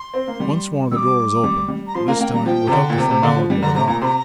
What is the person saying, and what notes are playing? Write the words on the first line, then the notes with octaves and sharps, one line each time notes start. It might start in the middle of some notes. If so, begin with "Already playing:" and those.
Once more the door was opened--this time without the formality of a knock.
Already playing: C6
C4
A#3
G3
G3 D6 E6
G3
G3
A#5
F3 C6
A#3 A#5
A#3 G5
G3 A#5
F3 G5
C3
D3
A#2
C3
C3
D3
F3
G3
D3 A#5
C3 A#5
A#2 A#5
C3 A#5 C6